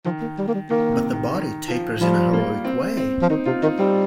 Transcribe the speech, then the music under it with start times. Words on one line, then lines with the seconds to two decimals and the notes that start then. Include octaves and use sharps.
But the body tapers in a heroic way.
0.05 D#3 F3
0.22 A#3
0.38 G3
0.48 A#3
0.54 G3
0.70 D#3 A#3
0.93 C3
1.13 D#3
1.35 D#3
1.68 F3
2.01 F3 G3
2.33 A#3
2.65 C4
2.97 C4
3.22 F3
3.30 D#3 D#4
3.46 C3 F4
3.62 D#3 D#4
3.79 G3 C4